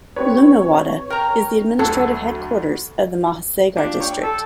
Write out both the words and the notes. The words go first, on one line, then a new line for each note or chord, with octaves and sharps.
Lunawada is the administrative headquarters of the Mahisagar district.
C4 G4 B4 C#5
A#4 G5 A#5
D2 F#3 A4
D4 F4 G4
C#5 G5
A4